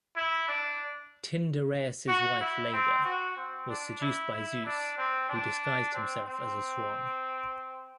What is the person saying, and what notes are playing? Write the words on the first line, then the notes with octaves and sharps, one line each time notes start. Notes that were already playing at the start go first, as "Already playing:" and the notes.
Tyndareus' wife Leda was seduced by Zeus, who disguised himself as a swan.
E4
D4
F#4
E4
C4
F#4
C4
D4
E4
E4
D4
C4
D4
C4
C4